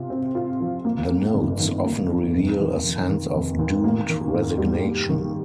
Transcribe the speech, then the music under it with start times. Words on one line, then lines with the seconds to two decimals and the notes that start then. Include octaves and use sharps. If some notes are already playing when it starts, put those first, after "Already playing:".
The notes often reveal a sense of doomed resignation.
Already playing: C3 F4
0.10 C4
0.35 F4
0.60 F3
0.85 A#3
1.10 F2
1.34 G1
1.60 D#3
1.85 A#3
2.10 F2
2.35 F1
2.60 D#2
2.84 F1
3.09 D#3
3.34 F1
3.59 D#2
3.84 A#3
4.09 D#3
4.34 G#2
4.58 G3
4.84 A#3
5.09 D#3